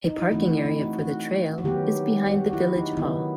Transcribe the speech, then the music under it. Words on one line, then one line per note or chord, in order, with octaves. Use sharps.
A parking area for the trail is behind the Village Hall.
D#4
E4
E3 A3 C4 F#4
E4
D#4
F#4
F#4
F#4
D#3 F#3 B3 G4
G4
F#4
F#4
E4
D#4
D#4
D#3 F#3 B3 E4